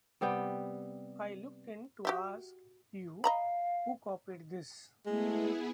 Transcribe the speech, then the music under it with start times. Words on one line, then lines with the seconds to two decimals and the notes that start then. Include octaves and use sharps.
I looked in to ask you who copied this.
0.21 C3 G3 B3 G5
2.05 F#4 G4 E5
3.24 D#5 F5 A#5 B5
5.06 G#3 A3 B3 E4 G#4